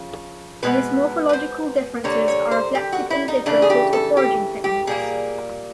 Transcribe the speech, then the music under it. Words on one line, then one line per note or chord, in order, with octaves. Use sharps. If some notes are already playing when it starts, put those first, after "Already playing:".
These morphological differences are reflected in differences of foraging techniques.
Already playing: C#3 F3
B2 G#3 B3 B4
B4
C5
D3 G3 A#3 C#5
C#5
C5
G4
F#4
E4
D#4
C#3 E3 A3 D4
G#4
G4
A4
G4
G4
A#2 G3 A#3 G#4